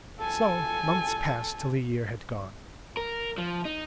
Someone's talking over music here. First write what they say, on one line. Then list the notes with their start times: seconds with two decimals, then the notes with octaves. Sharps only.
So months passed till a year had gone.
0.19 A4 G#5
2.97 A#4
3.38 F3
3.65 D#4